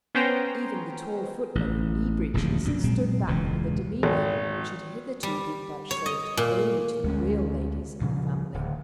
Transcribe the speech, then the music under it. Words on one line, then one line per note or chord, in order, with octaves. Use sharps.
Even the tall footman in knee-breeches stood back with a demeanour which had hitherto been vouchsafed only to the real ladies of the family.
B3 C#4 C5 G5 A#5
A1
D1 A#1 D#2 C#3
F#2 B2 D4
A#2 F#3 G#3 C4
E1 C#2 A#2 E3
G#1
G3
C#5
D#5
A#2
D2 G#3 C#4
G2 A#2 C#3 F3
D1